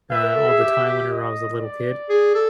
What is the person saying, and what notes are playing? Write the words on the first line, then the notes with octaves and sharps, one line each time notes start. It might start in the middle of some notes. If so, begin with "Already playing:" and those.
uh, all the time whenever I was a little kid,
B4 E5
A#4
A4
G#4
G4
G4
D#5
D5
G#4
A4